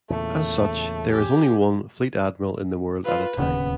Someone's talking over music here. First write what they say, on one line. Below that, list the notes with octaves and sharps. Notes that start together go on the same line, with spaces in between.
As such, there is only one Fleet Admiral in the world at a time.
E2 A#2 C#3 A3
G4 G#5
F4 B4
D1 D#2 C#3 B3